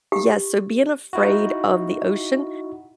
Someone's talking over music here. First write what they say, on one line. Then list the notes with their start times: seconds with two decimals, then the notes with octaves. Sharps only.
Yes, so being afraid of the ocean,
0.12 G4
1.13 D#4 E4 F#4